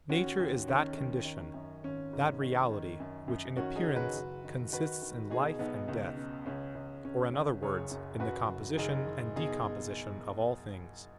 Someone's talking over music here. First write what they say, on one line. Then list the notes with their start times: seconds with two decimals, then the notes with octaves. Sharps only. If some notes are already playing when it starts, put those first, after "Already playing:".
Nature is that condition, that reality, which in appearance consists in life and death, or, in other words, in the composition and decomposition of all things.
0.09 D#2 C#4 F#4
0.39 D#2
0.68 D#3 C#4
0.97 D#3
1.25 D#3
1.54 F#2
1.83 G#1 C#4
2.13 G#2
2.41 D#3
2.70 D#3
3.00 F#2
3.28 F#2
3.56 D#3 C#4 F#4
3.76 D#4 G#4
3.87 F#1
3.96 F#4 B4
4.15 F#1
4.44 D#3
4.73 D#3 F#4 B4
5.02 D#3
5.30 B2 D#4 G#4
5.59 B1 B3 D#4
5.88 C#2
6.17 C#3
6.46 C#2 C#4
6.75 C#2
7.04 C#2 C#4
7.33 C#2
7.62 F#1 G#4 C#5
7.91 F#2
8.19 F#2 F#4 B4
8.48 F#1
8.77 F#1 D#4 G#4
9.07 F#1
9.35 B2 D#4 G#4